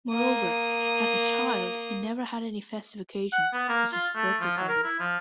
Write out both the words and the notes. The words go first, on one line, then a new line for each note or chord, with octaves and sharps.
Moreover, as a child, he never had any festive occasions, such as birthday parties.
A#3 D#6
F#5
B3
A#3
F4
A3
F3
F#3
A#4
E4
F3